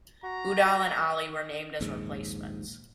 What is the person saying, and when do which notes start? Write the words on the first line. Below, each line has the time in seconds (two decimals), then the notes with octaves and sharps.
Udal and Ali were named as replacements.
0.23 F#4 A#5
1.81 A#1 D#2 G#2